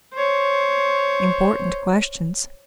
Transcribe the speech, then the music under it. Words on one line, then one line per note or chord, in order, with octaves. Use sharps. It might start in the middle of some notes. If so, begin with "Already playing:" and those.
Important questions!
C5 C#5